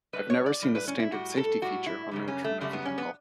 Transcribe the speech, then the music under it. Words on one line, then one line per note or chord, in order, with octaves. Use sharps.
I've never seen a standard safety feature removed from a vehicle.
A2 G3 B4
C#5
D5
A2 G3
B4
C#4
E4
A2 G3 F#4
A4
A2 G3 F#4
E4
F#2 C#3 G3
C#4
A3
F#2 C#3 G3 A3
B3
C#4
B3